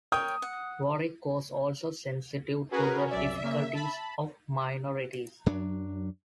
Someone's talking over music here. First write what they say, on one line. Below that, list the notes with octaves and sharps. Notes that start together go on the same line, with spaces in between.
Warrick was also sensitive to the difficulties of minorities.
A#4 C#5 G5 D#6
F#5
C#4 F#4 G#4 A#4 B4
C2 F#2 D5 E5
C#3 A#3
A5 B5
F#2 F#3 D4